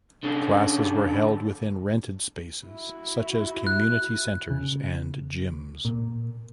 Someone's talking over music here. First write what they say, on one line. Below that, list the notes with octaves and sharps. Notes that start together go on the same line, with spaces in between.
Classes were held within rented spaces such as community centers and gyms.
D3 C#4
E4 F#4
F#6
C#3
A#2